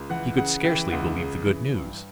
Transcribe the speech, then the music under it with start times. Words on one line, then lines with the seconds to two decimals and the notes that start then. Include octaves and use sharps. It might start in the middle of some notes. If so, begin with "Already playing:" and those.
He could scarcely believe the good news.
Already playing: C#2
0.10 E3 F#5
0.37 C#3 F#5
0.64 E3 G5
0.91 C#2 F#5
1.19 C#3
1.45 E3
1.74 G2